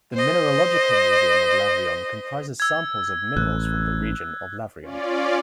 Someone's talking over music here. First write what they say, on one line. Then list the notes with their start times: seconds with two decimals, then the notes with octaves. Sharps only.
The Mineralogical Museum of Lavrion comprises samples of minerals from the region of Lavrion.
0.13 C5 D#5
2.60 E6 G#6
3.37 A1 F#6
4.82 C#4 F4 D5